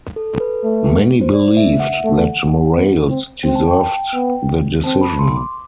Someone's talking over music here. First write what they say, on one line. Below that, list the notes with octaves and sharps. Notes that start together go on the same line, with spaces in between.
Many believed that Morales deserved the decision.
A4
A4
B4
A3
C5
D5
E5
E5
F#5
A3
B3
C4
C4 G5
A5
G5
B3
C4 A5
B5
C6
D6